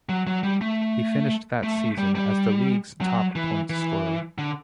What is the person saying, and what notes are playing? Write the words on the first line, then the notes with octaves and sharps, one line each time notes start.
He finished that season as the League's top point scorer.
F#3
F#3
G3
A3
A3
G3
G3
F#3
E3
E3
D3